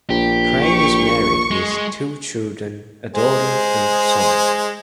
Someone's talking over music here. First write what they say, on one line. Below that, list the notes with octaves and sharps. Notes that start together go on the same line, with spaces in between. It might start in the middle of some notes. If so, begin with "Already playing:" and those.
Crane is married with two children, a daughter and son.
A#1 G4
C#6
G#3
G#3 G#4 C5